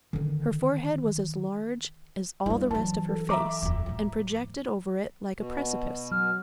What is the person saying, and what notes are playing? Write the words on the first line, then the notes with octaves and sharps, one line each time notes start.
Her forehead was as large as all the rest of her face, and projected over it like a precipice.
D3 D#3
G2 F3 E4
E3 F#3 A5
A4
E5 A#5 D6
D#1 F2
A2 F3
B2
F#3 F6